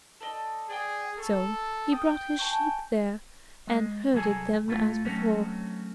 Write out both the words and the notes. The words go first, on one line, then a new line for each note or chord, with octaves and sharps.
So he brought his sheep there, and herded them as before.
A4 D5 D#5
G#4 D5 G5
A4 A#5 C#6
G5 D#6
G#5 A5 C#6
G#3
C2 F#3 G#4 A4 G#5
A2 A3 F4
F#3 A3 C4 C#4 F#4